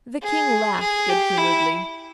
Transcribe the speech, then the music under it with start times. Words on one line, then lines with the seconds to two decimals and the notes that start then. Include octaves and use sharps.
The King laughed good-humouredly.
0.23 G#4
0.80 G#4
1.09 G4
1.38 E4